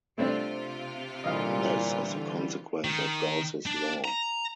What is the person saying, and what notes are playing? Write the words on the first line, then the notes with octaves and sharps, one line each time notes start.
This is a consequence of Gauss's law.
C3 A3 C4 D4 F4
A#2 D3 E3 G3 D#5 F5
D#3
D4
A#5